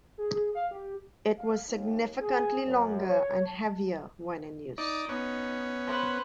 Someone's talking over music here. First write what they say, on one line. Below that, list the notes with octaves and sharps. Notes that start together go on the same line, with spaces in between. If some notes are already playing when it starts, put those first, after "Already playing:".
It was significantly longer and heavier when in use.
G#4
G#4
F5
G4
F5
D#2
G#4
F#2
C#5
A5
D#4 D5
B3 C#4 D#4
B4 C5